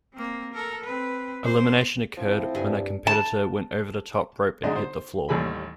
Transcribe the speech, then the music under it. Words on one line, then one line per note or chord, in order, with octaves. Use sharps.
Elimination occurred when a competitor went over the top rope and hit the floor.
A#3 C4
A4 A#4
C4 B4
C5
A2 F3 C4 E4
G2 G#5
A5
B1 F#2 D3 G#3 D4 D#5
C5
A1 D#2 G3 A4 G#5 B5